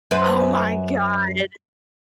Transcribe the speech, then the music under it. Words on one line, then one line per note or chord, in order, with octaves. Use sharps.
Oh my god!
F#2 B4 C5